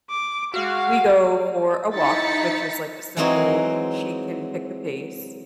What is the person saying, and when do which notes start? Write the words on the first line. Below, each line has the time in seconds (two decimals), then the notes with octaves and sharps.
we go for a walk, which is, like, a simple she can pick the pace,
0.10 D6
0.54 G#3 F#4 F5
1.96 D#4 E4 A6 B6 C#7
3.17 E3 F#3 G#3 C4 D#4 F#4